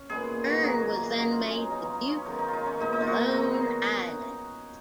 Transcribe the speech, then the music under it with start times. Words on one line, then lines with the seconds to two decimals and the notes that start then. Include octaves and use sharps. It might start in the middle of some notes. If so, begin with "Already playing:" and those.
Bern was then made the Duke of the Lone Islands.
Already playing: C#4
0.09 A#2 G#3 B3 G#4
0.50 F#4
0.63 F#2 D#3 A#3 G#4
1.17 B2 G#3 C#4 F#4
1.31 F4
1.46 C#4
1.58 D#4
1.71 C#3 F#3 B3 D#4
1.90 F4
2.08 C#4
2.25 D#3 G#3 B3 D#4
2.39 D#4
2.48 F4
2.53 D#4
2.66 C#4
2.79 A#2 G#3 B3 D#4
2.93 D#4
3.02 F4 F#4
3.20 G#4
3.33 D#3 F#3 B3